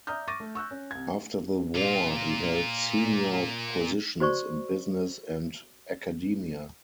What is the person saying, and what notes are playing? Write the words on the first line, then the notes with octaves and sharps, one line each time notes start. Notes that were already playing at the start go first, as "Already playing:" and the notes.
After the war he held senior positions in business and academia.
D5 E5 A#5 D#6 F6 G6
C#6 D6 A6 A#6 D#7
A3
C#6 E6 F#6 G6
C#4
C2 G#6
A#2 F4
F#4 C5 D5 C#6